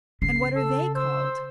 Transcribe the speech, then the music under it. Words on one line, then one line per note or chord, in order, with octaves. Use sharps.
"And what are they called?"
C#3 C7
A4 E6
C5 E6